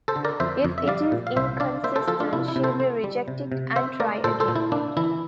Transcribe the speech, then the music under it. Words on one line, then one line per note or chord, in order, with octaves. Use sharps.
If it is inconsistent, she will reject it and try again.
A4 C5
D3
A#4 D5
F2 C5 E5
F2
E5
G3 D5 F5
A#2
F5
C2 C5 E5
D4 D5 F5
A#3 C5 E5
A4 C5
F3 F4 A4
D4 F4
C3 E4
E4
C3
A4 C5
C4
G3
C3
C3
C4 C5 E5
A3 A#4 D5
A#2 A4 C5
A4 C5
A#2
E4
A#3 D4
E3 E4